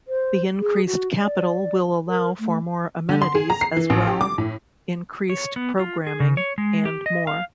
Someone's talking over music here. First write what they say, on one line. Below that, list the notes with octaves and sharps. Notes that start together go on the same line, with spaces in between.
The increased capital will allow for more amenities as well increased programming and more.
C5
G#4
F#4
D5
A#4
A3
D3
C6
G#4
A#5
C7
E3
A1
G4
D6
A2
C#5
B3
F4
G#4
C#3
C#5
G#3
G4
D#5
F5